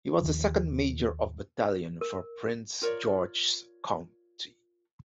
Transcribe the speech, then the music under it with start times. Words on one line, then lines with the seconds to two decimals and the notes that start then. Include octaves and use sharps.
He was the "second major of battalion" for Prince George's County.
0.21 D#2 D#3 F3
2.01 A#4
2.82 F4 A#4 C#5 D5